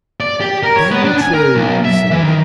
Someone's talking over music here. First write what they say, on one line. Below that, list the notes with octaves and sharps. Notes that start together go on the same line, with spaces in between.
"Down, True!" he said.
D5
G4
A#4
C#5
B3
D4
G#5
A#4
B1
E5
E3
D#3